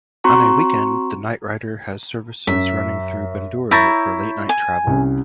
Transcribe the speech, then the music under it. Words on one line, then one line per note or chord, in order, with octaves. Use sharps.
On a weekend the Nightrider has services running through Bundoora for late night travel.
C4 F#4 A#5 C6 C#6
F#2 E5
E4 C#5 A#5 E6 G6 A6
G#5
C2 C#4